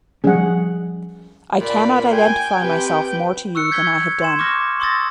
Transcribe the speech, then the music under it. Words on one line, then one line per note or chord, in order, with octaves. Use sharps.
I cannot identify myself more to you than I have done.
F3 G3 C#4 G#4 F#5
A#2 D5 B5
G5 G#5
C3 B4
C#6 E6 F#6 C#7
G6 G#6 B6 G7
C6 G#6 E7
C#6 D6 F6 G6 A#6
C6 C#6 D#6 E6 A6 A#6